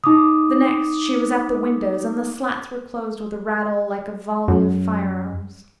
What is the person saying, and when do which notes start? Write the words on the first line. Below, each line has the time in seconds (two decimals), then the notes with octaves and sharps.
The next she was at the windows and the slats were closed with a rattle like a volley of firearms.
0.04 D#4 D6 D#6
4.48 F#2